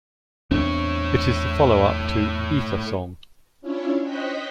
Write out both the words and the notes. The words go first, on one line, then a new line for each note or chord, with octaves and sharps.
It is the follow-up to "Ether Song".
E2 A3 C4 D4 C#5
C#4 D4 E4 F4 C#5
C5 C#5 D#5 G5 F#6 B6